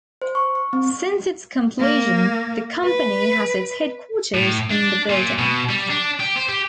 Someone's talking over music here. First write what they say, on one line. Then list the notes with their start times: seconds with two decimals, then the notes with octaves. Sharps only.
Since its completion, the company has its headquarters in the building.
0.22 C5
0.35 C#6
0.55 C#6
0.73 C4
1.80 A#3
2.85 B4
4.34 A2
4.71 D4
5.10 A#2
5.39 B2
5.69 G3
5.90 D4
6.20 G4
6.36 C5
6.49 G4